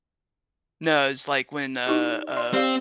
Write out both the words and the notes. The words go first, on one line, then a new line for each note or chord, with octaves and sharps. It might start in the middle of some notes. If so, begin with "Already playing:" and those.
No, it's, like, when, uh, uh
D#4 E4 G4
D5 C6
C4 G4 D5 F5